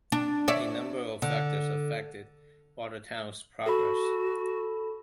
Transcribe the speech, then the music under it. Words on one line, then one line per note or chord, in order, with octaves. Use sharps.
A number of factors affected Watertown's progress.
D4
C#5 D5 E5
D3
F#4 A4 B5